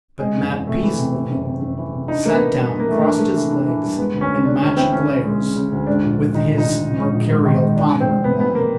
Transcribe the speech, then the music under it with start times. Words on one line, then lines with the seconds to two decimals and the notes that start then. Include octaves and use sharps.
But Matt Peasley sat down, crossed his legs and matched glares with his mercurial father-in-law.
0.19 C3 G#3
0.36 F#1
0.51 E2
0.67 C3 A3
0.83 E3
0.99 C3
1.14 C3
1.30 F#1
1.45 C3
1.61 F#1
1.77 E3
1.92 C3
2.08 D4 D#4
2.25 A3 A#3
2.33 B3
2.41 E3
2.56 G2
2.72 G2
2.80 A#3
2.87 E3 A3
3.02 A#3 D4
3.19 A3
3.35 E3
3.51 D4
3.67 E3
3.82 G2
3.98 G#3 B3
4.14 D2
4.21 C#4
4.30 G#3
4.45 G#3 D4
4.61 D2 C#4
4.76 E3 C4
4.93 C#3 C#4
5.09 C#3
5.24 G#3
5.40 C#3
5.55 C#3
5.72 D2
5.87 G#2 D4
6.03 A#1
6.19 A#1
6.35 D#3 D#4
6.50 A#1
6.58 D#4
6.66 A#1
6.82 A#1
6.97 G#2
7.13 A#1
7.29 G#2
7.45 D#3
7.61 G#2
7.76 E2 D4
7.92 F1
8.00 C4
8.08 F1
8.24 C3 B3
8.40 F1 B3
8.55 C3 A#3